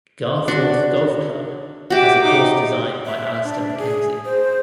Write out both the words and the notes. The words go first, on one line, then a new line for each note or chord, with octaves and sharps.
Garforth Golf Club has a course designed by Alister MacKenzie.
D4 F#4
F#4 G4 E5 D6
D#4 D6
E5
D4
G#4
C5